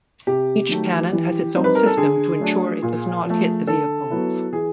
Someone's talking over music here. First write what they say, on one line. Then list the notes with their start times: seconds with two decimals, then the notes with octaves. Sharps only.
Each cannon has its own system to ensure it does not hit the vehicles.
0.27 C3 G4
0.69 D#3 F#3 A3
1.12 E3
1.55 G3 C4 D#4
1.64 B4
1.75 A#4
1.86 A4
1.97 D3 G#4
2.40 F#3 A3 D4
2.83 A#2
3.25 F3 A3
3.67 D3 A4
4.10 F#3 B3 E4
4.53 E3 G#4